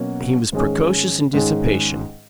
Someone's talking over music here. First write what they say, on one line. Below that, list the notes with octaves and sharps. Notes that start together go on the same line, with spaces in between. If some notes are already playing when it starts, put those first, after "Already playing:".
He was precocious in dissipation.
Already playing: B2 F#3 A#3 C#4 F#4
G#2 D#3 G#3 C#4 G#4
G#2 D#3 G#3 C#4 G#4